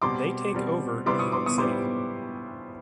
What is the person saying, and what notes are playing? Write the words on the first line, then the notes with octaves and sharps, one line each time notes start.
They take over New York City.
B2 G3 C4 C6 D6
B2 G3 C4
G3 B3 E4 G4 C5 C6 D6
C#6 D#6
C6 D6
C#6 D#6
G3 B3 E4 G4 C5 C6 D6